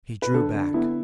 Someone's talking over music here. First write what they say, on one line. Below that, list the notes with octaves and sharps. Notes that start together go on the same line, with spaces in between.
He drew back.
B4
D3 A4
D3
B3 E4